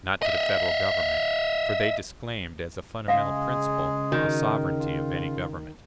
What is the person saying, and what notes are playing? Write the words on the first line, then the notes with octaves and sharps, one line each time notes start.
Not to the Federal Government; for they disclaimed, as a fundamental principle, the sovereignty of any government.
D#5 E5
C#3 G#3 G#4 E5 F5
D#3 F#4
F4